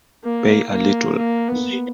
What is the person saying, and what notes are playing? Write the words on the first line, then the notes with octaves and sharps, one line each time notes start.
Pay a little.
A#3
A#3
A#3
B3